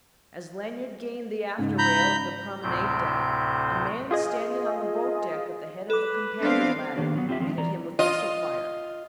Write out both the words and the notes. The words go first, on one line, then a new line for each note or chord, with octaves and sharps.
As Lanyard gained the after rail of the promenade deck a man standing on the boat-deck at the head of the companion-ladder greeted him with pistol fire.
G#2 C#3
A#5 B5 G6
D2 A2 C3 C4 G6
F4 G#4 D#5
A4 B4 D6
B3 C4 D4 F5
D#3 A#3 B3 D4 G4
F#3 B3
C4 F4 G4 D#5 E5
D#3 F3 G#3 C4
E3 D5 A#5
F4 D#5